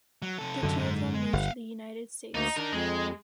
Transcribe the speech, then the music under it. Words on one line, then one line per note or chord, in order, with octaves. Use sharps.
The two of them moved to the United States.
F#3
C3 A4
F#2 D3
G#2 G#3
G#3
G1 F5 F#5
D2 A#3 D#4
D4 D#4 A#4
F2 G#3